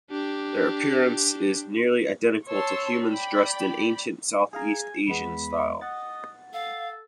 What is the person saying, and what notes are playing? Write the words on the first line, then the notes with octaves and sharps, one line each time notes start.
Their appearance is nearly identical to humans dressed in ancient Southeast Asian style.
D4 G4
C#5 A5 C6 E6
D5 G5 B5
G#4 F5 G#5 A#5
E2 G#3 B3 B5
D#5 F#5 A6
A4 F5